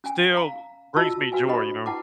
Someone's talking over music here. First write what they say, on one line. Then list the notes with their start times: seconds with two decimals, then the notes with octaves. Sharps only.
still brings me joy, you know.
0.04 C#4 G#5
0.34 F5 A#5
0.96 F4 F#4 D#5 A5 E6
1.32 F#4 B4 F5 G5 G#5
1.47 D4 G4 A4 C5 D#5 B5
1.86 E4 B4 F#5 G5 A5 D6